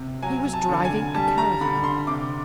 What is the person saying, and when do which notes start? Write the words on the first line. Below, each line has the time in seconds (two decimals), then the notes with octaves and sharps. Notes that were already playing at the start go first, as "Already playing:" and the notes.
He was driving a caravan.
Already playing: C3
0.23 F#3 G#5
0.53 A5
0.69 D3
0.85 G#5
1.15 G3 A5
1.38 A#5
1.61 D3 B5
1.84 C6
2.07 C3 D6